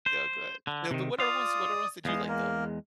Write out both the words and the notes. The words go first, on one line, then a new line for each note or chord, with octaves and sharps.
No, go ahead. Yeah, but what other ones what other ones did you like, though?
C5
D3
C3 D#3
F4 D5 F5 D#6
E2 G#3 B3 F5
A#3 A#4